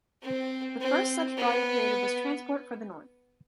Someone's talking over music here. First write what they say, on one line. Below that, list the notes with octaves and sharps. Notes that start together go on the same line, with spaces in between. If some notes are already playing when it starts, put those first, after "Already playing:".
The first such body created was Transport for the North.
C4
C4
B3